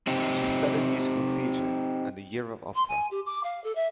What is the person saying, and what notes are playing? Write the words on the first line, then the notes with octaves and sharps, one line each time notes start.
She studied musical theatre and a year of opera.
C4 D#4 G4
C6
G#5
G4
D6
F5
A4
E5